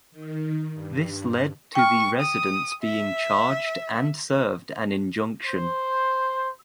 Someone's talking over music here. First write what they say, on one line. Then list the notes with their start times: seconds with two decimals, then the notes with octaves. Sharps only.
This led to the residents being charged and served an injunction.
0.12 D#3
0.74 G2
1.75 G5 C#6 F6
2.20 D#6
2.83 E5
5.45 C5